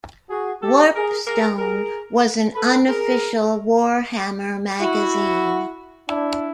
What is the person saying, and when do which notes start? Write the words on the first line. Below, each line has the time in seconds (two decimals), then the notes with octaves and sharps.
"Warpstone" was an unofficial warhammer magazine.
0.30 F#4 G#4
0.62 G4 A4
0.95 G#4 A#4
1.27 G#4 A#4
1.58 G#4 A#4
2.55 A4 B4
2.88 G#4 A#4
4.80 E4 F#4
6.09 D4 E4